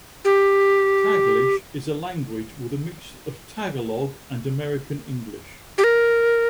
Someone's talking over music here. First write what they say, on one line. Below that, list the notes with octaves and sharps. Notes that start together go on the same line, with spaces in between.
Taglish is a language with a mix of Tagalog and American English.
G4
G4
A#4